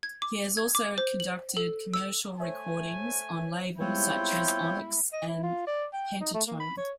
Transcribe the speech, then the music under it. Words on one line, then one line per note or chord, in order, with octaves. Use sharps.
He has also conducted commercial recordings on labels such as Onyx and Pentatone.
G#6
D6
G#6
D6
C5
F#7
A4
E6
A3 C5 C#5 E5 G#5
G3 G#3 B3 C4 E4 F4 C#5 G6
D#5
E4
F4
D5
G5
D#4
A3
A#3
B5
C#5